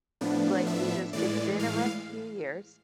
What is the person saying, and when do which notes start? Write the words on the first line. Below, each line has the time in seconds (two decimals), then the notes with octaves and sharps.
like, we just it's been a rough few years,
0.21 A2 F3 B3 D4
0.67 E5
1.13 A2 E3 G#3 D5
1.59 F5